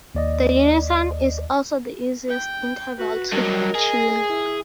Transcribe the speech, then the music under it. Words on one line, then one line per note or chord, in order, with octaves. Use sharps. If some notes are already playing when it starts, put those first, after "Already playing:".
The unison is also the easiest interval to tune.
D#2 D5 D#5
G5
F#4 B4
G2 F#3 A#4 D#5
G#4
E4